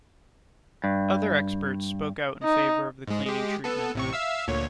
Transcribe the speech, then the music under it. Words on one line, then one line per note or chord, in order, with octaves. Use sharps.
Other experts spoke out in favour of the cleaning treatment.
G2
D#4
G#2 G#3
G#3 G4
B3 A4
A1 C3 C#6
E5 F5 E6
D2 A#2 C#5